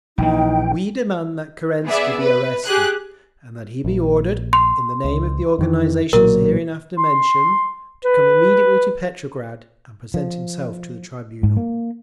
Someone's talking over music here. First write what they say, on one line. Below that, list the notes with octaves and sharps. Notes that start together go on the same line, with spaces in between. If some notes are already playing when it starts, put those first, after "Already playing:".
We demand that Kerensky be arrested, and that he be ordered, in the name of the organisations hereinafter mentioned, to come immediately to Petrograd and present himself to the tribunal.
A#1 E3 D#4 G5
B3 G#4 D5 E5
B4
G4 G#4 F#6
A#1
C6
C#2
F2 D#3 E3
B1 A#2 F#3 A#4
C6
B4
F3
G#2
A#3